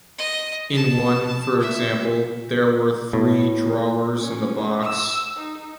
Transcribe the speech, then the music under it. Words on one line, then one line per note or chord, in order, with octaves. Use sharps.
In one, for example, there were three drawers in the box.
D#5
A5
E5
A2
C#4
E6
D#4